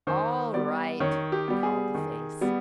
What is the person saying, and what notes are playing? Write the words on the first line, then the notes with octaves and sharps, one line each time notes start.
"All right," called the face.
D#3 C5
G3 B3 D5
D#3 C#5
G4
G3 B3
G#4
D#3
G3 B3